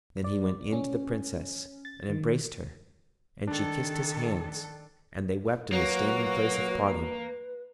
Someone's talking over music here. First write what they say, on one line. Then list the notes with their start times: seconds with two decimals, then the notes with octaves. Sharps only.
Then he went in to the Princess and embraced her; and she kissed his hands and they wept in the standing-place of parting.
0.24 D5
0.73 C#4
1.85 A6
2.09 D#3
3.47 D#3 D4 A4
5.72 F#3 A#3 F#4 B4